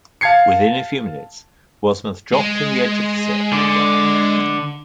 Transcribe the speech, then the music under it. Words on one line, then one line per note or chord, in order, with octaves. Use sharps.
Within a few minutes, Wasmuth dropped in the edge of the surf and died.
F5 A5 G#6 C7 C#7
G#3
D3